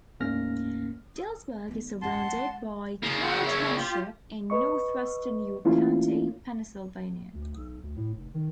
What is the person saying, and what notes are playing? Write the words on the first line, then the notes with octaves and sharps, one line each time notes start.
Dillsburg is surrounded by Carroll Township in northwestern York County, Pennsylvania.
D2 G#2 A#3 C#4 F6 A#6
D#3 B3
A1 F#2 F#5 A5 C6
G#3
C#3 A#3
F#5 G5 E6
C#5 E5
F4 G4
B4 D#5 C#6
E3 A3 A#3 C#4 E4 F4
D2
B1
D2
A2
F1
D#3